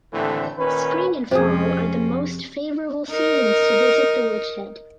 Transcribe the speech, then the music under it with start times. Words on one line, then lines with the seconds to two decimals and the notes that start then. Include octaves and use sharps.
Spring and fall are the most favorable seasons to visit The Witch Head.
0.13 D#2 A2 D3 E3 A3 C4
0.58 A#2 D#3 C#4 B4
1.31 F2 C3 C#4 G#4
3.10 D#4 A#4